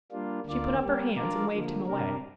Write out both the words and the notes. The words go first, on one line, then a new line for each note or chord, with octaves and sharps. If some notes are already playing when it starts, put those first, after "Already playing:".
She put up her hands, and waved him away.
G3 A#3 D4 F4
D2 D3 A#3 F4 D5
G3 A#3 G4
F3 D4 F4 A#4 D5
D3 F3 A#3
C3 G3 D4 A#4